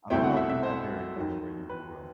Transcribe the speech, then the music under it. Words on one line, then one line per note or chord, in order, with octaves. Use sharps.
I don't know if you had Dairy Queen where you grew up.
C2 B2 A3 C4 E4 G5
F#5
E5
E5
C5
D#2 D#3 F#3
B4